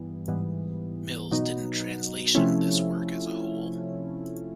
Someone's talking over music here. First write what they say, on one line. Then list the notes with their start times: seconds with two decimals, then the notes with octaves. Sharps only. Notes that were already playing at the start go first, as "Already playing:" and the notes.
Mills didn't translation this work as a whole.
Already playing: G2 E3 G3 B3
0.28 G#2 E3 G3 B3
1.31 B2 F#3 B3 D#4
2.35 C3 F3 A3 C#4 E4